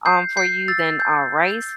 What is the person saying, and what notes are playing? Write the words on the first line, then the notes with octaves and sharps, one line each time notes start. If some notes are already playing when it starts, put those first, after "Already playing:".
um, for you than, uh, rice,
G6 C7
G6 C7
E6 A6
G6